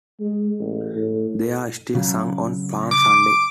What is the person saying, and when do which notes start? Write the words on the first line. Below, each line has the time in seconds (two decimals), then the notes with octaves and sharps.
They are still sung on Palm Sunday.
0.20 G#3
0.59 A1
0.95 A2
1.95 C#3 F#3
2.91 D6